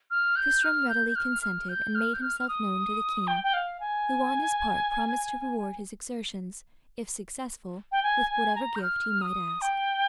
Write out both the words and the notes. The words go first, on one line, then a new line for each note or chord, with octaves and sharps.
Tristram readily consented, and made himself known to the king, who on his part promised to reward his exertions, if successful, with whatever gift he might ask.
F6
G6
F6
G6
G6
F6
F6
G6
F6
G6
F6
F6
D#6
G5
G5
F5
G#5
G5
G#5
G#5
A#5
G6
F6
D#6
G5